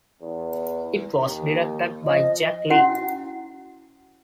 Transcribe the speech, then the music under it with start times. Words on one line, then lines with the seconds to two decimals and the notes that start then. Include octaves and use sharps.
It was directed by Jack Lee.
0.21 E2
1.21 D#2
2.04 F3 D#5
2.70 C#4 E4 F#4 F#5